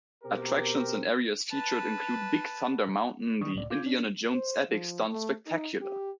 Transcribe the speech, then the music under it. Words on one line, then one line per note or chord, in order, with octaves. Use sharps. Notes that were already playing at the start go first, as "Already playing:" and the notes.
Attractions and areas featured include Big Thunder Mountain, the Indiana Jones Epic Stunt Spectacular!
B2 C4 G4 A#4
B4 A5
D#3 D4 C#6 D#6
C#2 A2 D5
F4 D6 G6 G#6
C#4 D4
C5
F3
A3
D#4
G4